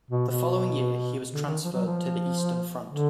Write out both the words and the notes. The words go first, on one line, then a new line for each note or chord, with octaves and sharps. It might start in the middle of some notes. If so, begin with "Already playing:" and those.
The following year, he was transferred to the Eastern Front.
B2
B2
D3
D#3
F3
F#3
F3
D3